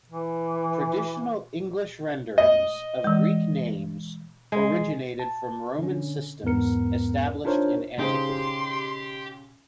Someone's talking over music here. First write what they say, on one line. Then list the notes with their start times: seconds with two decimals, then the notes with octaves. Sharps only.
Traditional English renderings of Greek names originated from Roman systems established in antiquity.
0.10 E3
2.38 D#5
3.04 E3 G#3
4.52 G#3
5.19 A5
5.79 D3 C#4
6.43 E2 G#2 B3 A#4 C#7
7.45 D4 D#4 F4 A#4 C5 C#5
7.99 C#3 D#4 G4 C5 C6